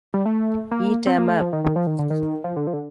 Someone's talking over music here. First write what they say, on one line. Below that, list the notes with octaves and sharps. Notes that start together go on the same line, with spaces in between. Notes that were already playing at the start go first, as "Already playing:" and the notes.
Eat 'em up!
G3
A3
A#3
C4
A#3
A3
F3
D#3
D#3
F3
D#3
D3
D#3
F3
D3
F3
D3